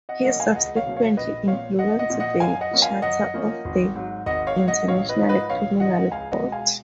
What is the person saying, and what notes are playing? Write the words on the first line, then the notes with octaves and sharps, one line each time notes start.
He subsequently influenced the charter of the International Criminal Court.
D#5 F#5
B2 F#3 A#3 C#4 D#5 F#5
F5 G#5
C#2 D#5 F#5
C#5 F5
B2 F#3 A#3 C#4
C#5 F5
A#1 B4 D#5
A#2 F3 C#5 F5
A#1 D#5 F#5
D#5 F#5
A#2 F3
D#5 F#5
F#2 F5 G#5
D#5 F#5
F3 A#3 C#4
F5 G#5
F#2 D#5 F#5
F3 A#3 C#4
G#1
G#2 F#3
G#1 D#5 F#5
C#5 F5
G#2 F#3
D#5 F#5
A#1 C#5 F5
B4 D#5
G#2 F3 C#5
B4 D#5
A#1 C#5 F5
G#2 F3 D#5 F#5
C#2 F5 G#5
D#5 F#5
B2 G#3
F5 G#5